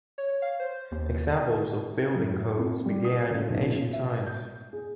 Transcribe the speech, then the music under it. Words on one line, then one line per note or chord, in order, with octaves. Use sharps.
Examples of building codes began in ancient times.
C#5
F5
C5
D#2
F#2
C4
G3
D#6
C#3
B1
A#2
E5
G6
G#4